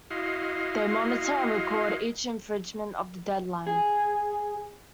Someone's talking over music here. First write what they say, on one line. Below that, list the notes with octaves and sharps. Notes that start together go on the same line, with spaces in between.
They monitor and record each infringement of the deadline.
E4 F#4 D#5 F5 C6
G#4